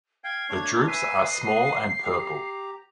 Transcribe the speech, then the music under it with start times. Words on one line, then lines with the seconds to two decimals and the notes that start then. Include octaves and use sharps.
The drupes are small and purple.
0.24 F5 G5 G#6
0.49 A3 D4 C#5
0.88 B4 E5 G#5 C7
1.28 B4 D#5 D#6
2.04 G4 A#5